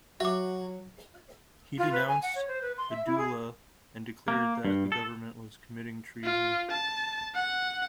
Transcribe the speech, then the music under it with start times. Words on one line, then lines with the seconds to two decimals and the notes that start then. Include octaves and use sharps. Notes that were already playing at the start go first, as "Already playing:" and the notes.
He denounced Adoula and declared that the government was committing treason.
0.20 F#3 F#4 E5 D6
1.78 F4
1.93 B4
2.08 G#5
2.22 F#5
2.35 C#5
2.48 C5
2.62 B4
2.78 C6
2.90 E5
3.06 E4
3.18 G#4
4.28 A#3
4.65 G2
4.92 A4
6.24 F4
6.71 A5
7.35 F#5